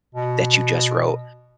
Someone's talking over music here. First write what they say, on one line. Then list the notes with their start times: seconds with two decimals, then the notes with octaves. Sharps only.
that you just wrote.
0.15 B2